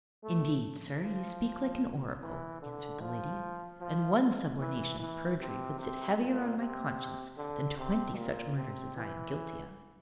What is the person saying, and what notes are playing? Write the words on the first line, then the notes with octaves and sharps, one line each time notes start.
"Indeed, sir, you speak like an oracle," answered the lady; "and one subornation of perjury would sit heavier on my conscience than twenty such murders as I am guilty of."
A3
F3
E3
D3
F3
F3
E3
E3
C3
C3
A#2
C3
D3
C3
A#2
C3
E3